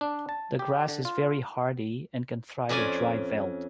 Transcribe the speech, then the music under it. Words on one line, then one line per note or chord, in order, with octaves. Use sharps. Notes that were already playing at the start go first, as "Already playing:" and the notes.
The grass is very hardy and can thrive in dry veld.
D4
A5
G4
D3
F4
F2 C#4 D5 G#5